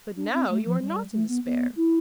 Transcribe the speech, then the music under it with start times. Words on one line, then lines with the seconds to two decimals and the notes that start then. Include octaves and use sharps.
"But now you are not in despair."
0.17 D4
0.33 C4
0.50 A3
0.66 F3
0.81 G3
1.13 A3
1.28 B3
1.45 B3
1.76 E4